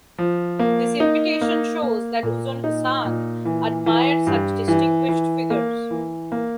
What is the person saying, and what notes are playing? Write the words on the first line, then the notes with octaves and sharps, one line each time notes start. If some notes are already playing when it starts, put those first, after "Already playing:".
This invitation shows that Uzun Hasan admired such distinguished figures.
F3
A#3
D#4
A#3
A#3
A#2
D#4
A#2
E3
E3
G2
E3
E3
A#3
E3
A#3